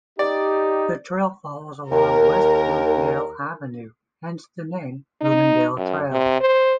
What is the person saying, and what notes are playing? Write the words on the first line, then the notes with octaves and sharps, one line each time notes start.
The trail follows along West Bloomingdale avenue, hence the name "Bloomingdale Trail".
D#4 G4 D5
D#2 A#4
D#4
F#2
C3
C5